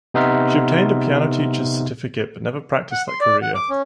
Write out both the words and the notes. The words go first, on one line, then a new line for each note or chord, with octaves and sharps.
She obtained a piano teacher's certificate but never practiced that career.
C3 B3 D#4 E5 C6 F6
F#5
C6
D5
F#5
D6
C#4